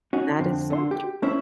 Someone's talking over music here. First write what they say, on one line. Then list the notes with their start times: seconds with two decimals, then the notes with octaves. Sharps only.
That is so true.
0.13 C#4 D#4 F#4
0.39 F2 D3 C4
0.70 D3 C6
0.91 G4
1.22 A3 C#4 E4 C5 E5